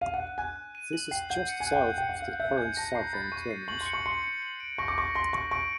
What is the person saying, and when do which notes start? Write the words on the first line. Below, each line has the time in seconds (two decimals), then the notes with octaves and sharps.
This is just south of the current southern terminus.
0.01 F5 D#7
0.14 F#5
0.20 F#6
0.38 G#5 F#6
0.56 F#6
0.75 D#7
0.93 F#7
1.11 G5 C7
1.30 F#5 G6
1.49 C#7
1.60 G#5
1.67 F#6
1.73 G5
1.84 F#5 F#6
1.98 G5
2.03 C#7
2.09 F#5
2.21 F5 G6
2.40 E5 G6
2.58 G#5 G6
2.77 A5 A#6
2.95 A#5 C7
3.13 B5 A6
3.32 C#6 D#7
3.51 C7
3.68 C#6 F#7
3.81 C6
3.86 C#7
3.93 C#6
4.06 C6 C#7
4.23 C#7
4.42 F#7
4.60 D7
4.78 C#6 A#6
4.88 D6
4.97 C#6 A#6
5.15 C6 A#6
5.33 C#6 A#6
5.51 C#6 D7